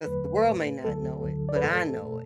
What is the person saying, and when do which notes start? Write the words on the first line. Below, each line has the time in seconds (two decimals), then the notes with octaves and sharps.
'Cause the world may not know it, but I know it.
0.05 E2 D3 F#3 A3 B4
0.46 A2 A3
0.84 D2 D3 F#3 A3 A4
1.24 D2 D3 F#3
1.49 D5
1.56 B4
1.63 A2 E3 A3 A4
2.03 B2 A3